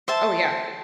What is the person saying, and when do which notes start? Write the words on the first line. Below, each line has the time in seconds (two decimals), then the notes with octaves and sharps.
Oh yeah.
0.08 C5 E5 A5